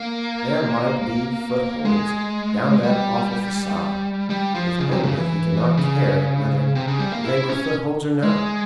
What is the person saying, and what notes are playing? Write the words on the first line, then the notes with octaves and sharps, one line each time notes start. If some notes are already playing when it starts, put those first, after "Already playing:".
There might be footholds down that awful facade, if only he could not care whether they were footholds or no.
Already playing: A#3
G#3
G3
G3
F3
C#3
C3
C#3
E3
C#3
C3
C#3
G3
A#3
E4
C#4
G#3